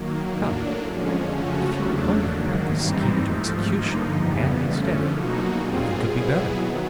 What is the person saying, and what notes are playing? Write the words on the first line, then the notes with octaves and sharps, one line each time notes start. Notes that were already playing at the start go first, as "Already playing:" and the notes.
"Come, if you will only put this scheme into execution, and be steady, nothing could be better."
Already playing: D#3 F#3 A#3
A2 F#3 A#3 D4
F2 D3 F3 G#3 C#4
C#3 F3 A3 C#4 F#4
E2 C#3 F#3 A3 D4
G#2 D#3 F#3 A#3
G2 E3 G3 C4 D#4
G#2 F3 A3
G2 D3 F3 A#3 D#4
F2 C#3 E3 G3 B3
D3 F3 A3 C#4
B2 F#3 A#3 D#4 F#4
A#2 G3 C4 F4 G#4
B2 F#3 B3 E4 G#4
D#3 F#3 B3